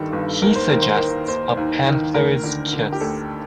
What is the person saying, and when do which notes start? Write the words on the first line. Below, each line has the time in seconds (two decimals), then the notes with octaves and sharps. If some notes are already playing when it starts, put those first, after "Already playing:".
He suggests a Panther's Kiss.
Already playing: G1 G2 D#3 A4
0.13 G1
0.42 D#2 A#4
0.56 C5
0.69 D#3 A#4
0.82 C5
0.95 D#3 A#4
1.28 D#2 C5
1.57 D#2
1.86 D#3
2.14 D2 A#4
2.44 D3
2.73 D3
2.92 G4
3.01 D2 A4